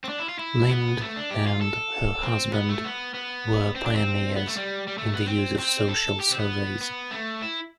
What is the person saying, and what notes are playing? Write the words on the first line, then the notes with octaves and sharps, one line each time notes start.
Lynd and her husband were pioneers in the use of social surveys.
C4
D4
E4
F4
E4
B3
A3
D4
G4
F4
A4
C4
B3
A3
B3
B3
C4
D4
C4
B3
A3
G3
G3
A3
B3
C4
C4
A4
G4
C4
B3
B3
A3
E4